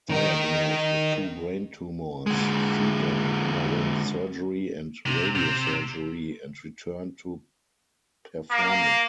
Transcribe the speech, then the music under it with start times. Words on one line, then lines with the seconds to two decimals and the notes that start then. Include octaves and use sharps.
Diagnosed with two brain tumors, Fieger underwent surgery and radiosurgery and returned to performing.
0.10 D#3 A#4
2.26 D3 G#3
5.06 C3
5.36 C3 C4
8.51 A#3